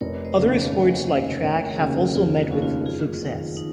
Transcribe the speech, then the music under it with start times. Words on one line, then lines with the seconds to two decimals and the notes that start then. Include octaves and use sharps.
Other sports like track have also met with success.
0.01 F1 A#4 C#5
0.25 C5 D#5
0.37 D#2 C#3
0.48 C#5 F5
0.72 F1 F5 G#5
0.90 D#5 F#5
1.07 D#2 C#3 C5 D#5
1.26 C5 D#5
1.43 F1 A#4 C#5
1.71 G#4
1.79 D#2 C#3 F#4 A#4
2.15 F1 F4 G#4
2.38 D#4 F#4
2.51 D#2 C#3 F#4
2.62 F4
2.86 F#1 F4 G#4
3.22 F2 D#3
3.57 D#4